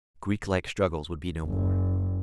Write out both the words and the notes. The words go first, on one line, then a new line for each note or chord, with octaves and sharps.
Greeklike struggles would be no more.
F#1